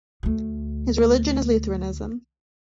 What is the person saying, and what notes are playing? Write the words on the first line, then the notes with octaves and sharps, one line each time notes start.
His religion is Lutheranism.
D2 A3